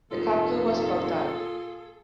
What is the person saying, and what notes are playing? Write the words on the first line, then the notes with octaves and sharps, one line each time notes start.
The capital was Baghdad.
F1 A#2 F4 G#4 A4